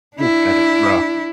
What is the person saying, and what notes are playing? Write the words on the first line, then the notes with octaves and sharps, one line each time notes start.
Ooh, that is rough.
D4 E4